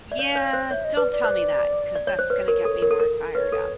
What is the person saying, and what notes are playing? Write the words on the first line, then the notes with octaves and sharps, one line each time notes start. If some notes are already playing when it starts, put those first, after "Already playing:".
Yeah. Don't tell me that 'cause that's gonna get me more fired up.
D5 E5
C#5 F5
C#5
C5
C#5 E5
D#5
B4 D5
D5
C5
D5
C#5
C5
B4 C#5
A#4
A4
A#4
A4
A#4
B4 C#5
A4